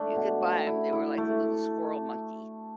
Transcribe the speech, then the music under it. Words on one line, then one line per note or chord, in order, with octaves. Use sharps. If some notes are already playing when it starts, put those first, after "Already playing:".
you could buy 'em, they were like a little squirrel monkey.
Already playing: A3 D4
B2
A3
E4
E4
A3